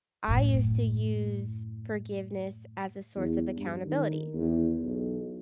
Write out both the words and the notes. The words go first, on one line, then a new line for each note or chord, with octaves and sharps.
I used to use forgiveness as a source of accountability.
F#2 A2
E2
G2
D#3
E2
B1